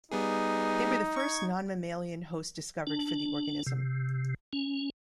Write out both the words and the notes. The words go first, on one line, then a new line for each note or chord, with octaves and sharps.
They were the first non-mammalian hosts discovered for the organism.
G3 B3 D#4 G#4
C#6 G#6
D4
C3
C#4